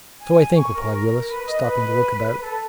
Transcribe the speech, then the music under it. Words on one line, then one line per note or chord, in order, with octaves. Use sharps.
"So I think," replied Willis, stopping to look about.
G#5
C#6
A#4
B4
D#5
B4
A4